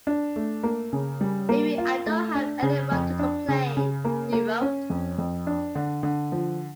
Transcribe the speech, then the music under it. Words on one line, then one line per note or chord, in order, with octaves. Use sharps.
"Maybe I don't have any right to complain," he wrote.
D4
A3
A#3
C#3
G3
A#3
F4
A3
D4
C#3
F2
D4
C#3
C#3
A#3
A#3
C#4
F2
F2
D4
D3
D3
F3